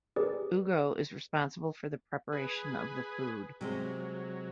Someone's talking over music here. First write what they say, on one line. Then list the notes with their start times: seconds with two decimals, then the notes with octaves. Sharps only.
Ugo is responsible for the preparation of the food.
0.16 G4 G#4 A#4 B4 D5
2.32 G#4 B4
3.61 C3 F#3 G#3 C5